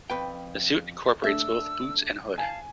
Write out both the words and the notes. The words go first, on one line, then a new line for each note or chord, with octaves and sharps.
The suit incorporates both boots and hood.
F2 B4 G5
A3 D4 E5 E6
F5 G#5 A5